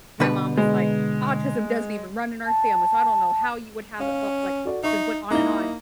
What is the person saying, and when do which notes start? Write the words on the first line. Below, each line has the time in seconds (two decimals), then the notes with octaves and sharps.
my mom is like, "Autism doesn't even run in our family, so I don't know how you would have it," but like, just went on and on,
0.20 B2 D3 B4
0.57 G#3
2.47 A5
4.00 C#4 F5
4.65 F#4 A4 D5
4.83 D#4 E5 C#6
5.31 A#3 D#4 E4 G7